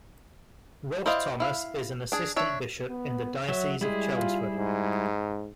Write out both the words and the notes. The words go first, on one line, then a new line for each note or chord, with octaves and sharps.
Rod Thomas is an assistant bishop in the Diocese of Chelmsford.
E4 C5 D5 D#5 F5
E4 F5
D4 G#4
D4 C#5 E5
B3
F#3 C#5 E5
G3 G#3 E4 G#4
F4
G#2